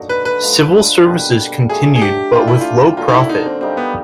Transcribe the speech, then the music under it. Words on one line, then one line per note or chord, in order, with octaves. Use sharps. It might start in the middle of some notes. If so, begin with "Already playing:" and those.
Civil services continued but with low profit.
Already playing: D3 F#3 A#3 D#4
B4
B4
D3 F3 G#3
B2 G3 A#3
F#3 A3 D4 G#4
G#4
G4
E3 A3 D4 F4 G4
E4
F4
D3 F#3 A#3 D4 F4
D#4
E4
D#4
C4
G3 A#3 C4 D#4 G4
B3